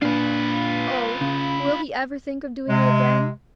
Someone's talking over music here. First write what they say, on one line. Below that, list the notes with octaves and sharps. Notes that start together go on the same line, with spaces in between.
Oh! will be ever think of doing it again!
A#2 D4 F4 B4
C#3
C3 G#3